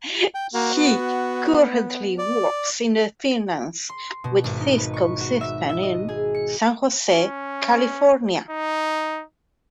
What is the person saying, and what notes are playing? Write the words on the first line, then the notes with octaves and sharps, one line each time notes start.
He currently works in Finance, with Cisco systems in, San Jose, California.
G5
A#3 F#4
B3
D5
C6
B2
G#1
D#4
B4
C#6
F#4
E5
E5
D#5
G#4
C#7
C#4
D#4